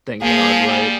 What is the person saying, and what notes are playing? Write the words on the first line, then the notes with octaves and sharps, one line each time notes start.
Thank god, right?
F3 A#3 G#4
G3